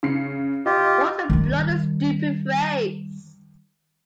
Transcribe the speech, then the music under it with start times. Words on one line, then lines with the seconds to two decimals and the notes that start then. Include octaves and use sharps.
What a bloody stupid phrase.
0.03 C#3 C7 C#7
0.66 F4 G4 D#5
1.30 D#3 G3